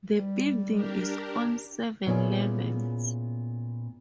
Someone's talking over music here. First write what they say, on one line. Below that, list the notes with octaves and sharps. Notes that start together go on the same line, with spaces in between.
The building is on seven levels.
G3
D4 G4 A#4
A#2 B3 C#4 E4 G#4